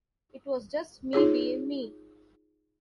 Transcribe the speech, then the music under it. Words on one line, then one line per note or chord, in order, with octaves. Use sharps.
It was just me being me.
D#4 F4 G#4 C#5